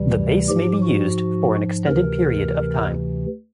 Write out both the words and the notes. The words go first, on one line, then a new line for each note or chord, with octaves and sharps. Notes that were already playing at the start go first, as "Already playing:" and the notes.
The base may be used for an extended period of time.
Already playing: D2 C3 E3 G3
G#2 F3 G4
F#4
D2 C3 E3 A#4